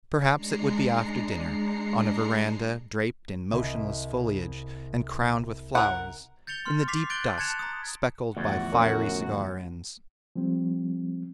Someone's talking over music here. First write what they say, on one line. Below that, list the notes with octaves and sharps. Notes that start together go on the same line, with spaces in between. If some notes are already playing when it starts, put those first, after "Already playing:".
Perhaps it would be after dinner, on a verandah draped in motionless foliage and crowned with flowers, in the deep dusk speckled by fiery cigar-ends.
G#3 D4 A#5 C7 C#7
C2 D#5
A#4 F#5
G6 A6 C#7 F7 G7
C6 F6
D6 A6 B6 C7 F7
F#6 G6 A6 D7 F#7 G7
A5 F#6 G#6 C#7 E7 F7
A#5 D#6
E2 A2 D3 F3 F#4
F#2
F3 G3 C4